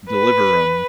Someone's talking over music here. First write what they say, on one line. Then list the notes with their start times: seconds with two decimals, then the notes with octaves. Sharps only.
deliver 'em.
0.10 B4